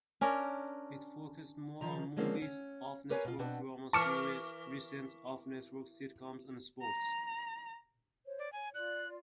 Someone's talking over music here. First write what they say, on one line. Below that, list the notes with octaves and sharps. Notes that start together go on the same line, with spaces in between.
It focused more on movies, off-network drama series, recent off-network sitcoms and sports.
C#4 D4 A#4
D#3 F3 A#5
D3 F3 G#3 A#3 C4 C#4
C#4
G4 A#4 B4 C#5 F5 G#5
B2 F4
B2 C4 D4 B4 F#5
E3 A#4 A5 C#6 D6 F6 C#7
A#5
C5 C#5
D5
C#5 G#5
F4 D5 F#6